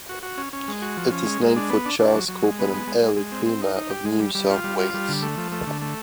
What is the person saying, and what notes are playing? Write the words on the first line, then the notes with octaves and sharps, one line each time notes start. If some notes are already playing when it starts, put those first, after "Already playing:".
It is named for Charles Cowper, an early Premier of New South Wales.
F#4
F#4
C#4
C#4
G#3
F#4
F3
C#4
G#3
G#3
D4
B3
D4
D4
F#3
F#3
G#3
B3
G#3
G#3
G#3
G#3
C4
C4
D#4
D#4
G4
G#3
G3
G3
F4
G3
F4
G3
D3
A3
F3
A3
D3
A3